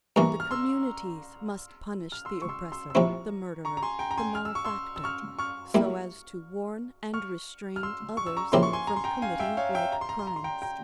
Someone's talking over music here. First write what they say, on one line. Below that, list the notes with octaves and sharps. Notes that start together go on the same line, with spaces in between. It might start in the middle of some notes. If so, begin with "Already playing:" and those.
The communities must punish the oppressor, the murderer, the malefactor, so as to warn and restrain others from committing like crimes.
G2 E3 A#3 A#5 C#6
F6
C6 E6
F6
C6 E6
C#6
C6 E6
C6 E6
E6
C3 F3 C4 E4 A#5 C#6
A#5 C#6
A#5
G#5 C6
G5 A#5
A#5
G#5 C6
F6
E6
C#6
C6 E6
E6
C#6 F6
C#6 F6
G3 A#3 E4
C#6 F6
F6
C6 E6
C#6
E6
A#5 C#6
C#3 F3 A#3 E4 G4 C6
C#6
G#5 C6
A#5
C6
G5 A#5
F5 G#5
E5 G5
C#5 F5
E5 G5
A#5
C6
A#5
C6
A#5
C6
G5 A#5
G5 A#5